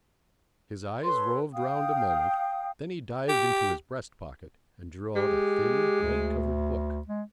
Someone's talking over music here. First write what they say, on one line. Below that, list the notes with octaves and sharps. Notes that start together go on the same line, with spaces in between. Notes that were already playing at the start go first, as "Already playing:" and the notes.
His eyes roved round a moment; then he dived into his breast-pocket, and drew out a thin red-covered book.
A4 B4 C#5 C6
F5 G5 D#6
G4
G#3 G4
D2
G#3